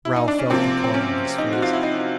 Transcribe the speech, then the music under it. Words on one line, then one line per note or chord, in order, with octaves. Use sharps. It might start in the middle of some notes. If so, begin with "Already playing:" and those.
Ralph felt the colour in his face.
E4
D#4
D4
C#4
C3 F3 A#3 C4
C4
C#4
D#4
F#4
F4
E4
D#4